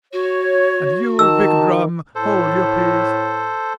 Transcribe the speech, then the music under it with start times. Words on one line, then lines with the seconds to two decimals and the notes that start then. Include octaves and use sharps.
And you, big drum, hold your peace!
0.13 F#4 C#5
1.19 D#3 A5 E6
2.15 A2 A4 C5